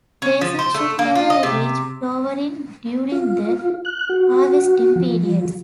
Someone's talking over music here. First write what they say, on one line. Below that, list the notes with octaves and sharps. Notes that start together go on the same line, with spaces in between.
Basil should never reach flowering during the harvesting periods.
C#4
F3
C5
A3
A#3
F4
D#5
C3
F4
F#6
F#4
F3